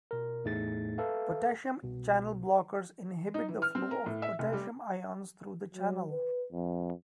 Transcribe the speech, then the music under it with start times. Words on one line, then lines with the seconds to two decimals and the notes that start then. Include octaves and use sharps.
Potassium channel blockers inhibit the flow of potassium ions through the channel.
0.11 B2 A#4
0.45 E2 A2 A3 D#4 G#4 A6
0.98 A4 B4 E5 F5
1.83 C2 B2
3.34 D#4
3.48 E3
3.62 F6
3.75 C4
3.91 A#4
4.06 A2
4.22 E5
4.39 F1
4.53 G3
5.75 F#3
6.11 B4
6.52 F2